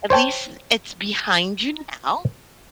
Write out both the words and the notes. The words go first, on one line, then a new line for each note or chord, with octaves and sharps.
at least it's behind you now.
C5 C#5 G5 A5